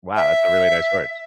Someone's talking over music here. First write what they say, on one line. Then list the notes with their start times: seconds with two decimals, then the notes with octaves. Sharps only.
"Wow, that's a really nice horse."
0.16 E5